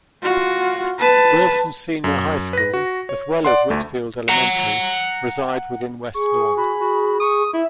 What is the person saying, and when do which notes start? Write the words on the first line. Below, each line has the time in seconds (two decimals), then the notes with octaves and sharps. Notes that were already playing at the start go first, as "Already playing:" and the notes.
Wilson Senior High School, as well as Whitfield Elementary reside within West Lawn.
0.23 F4 F#4
0.99 B4 A5
2.04 F#2
2.53 B4 A#6
2.74 F#4
3.09 C#5
3.45 D5 F#5 C6
3.70 D2 A3
4.29 F#5 A#5
6.14 G#4 C#6
6.57 F#4 B5
6.81 F#4
7.20 C#6 D#6
7.53 E4 E5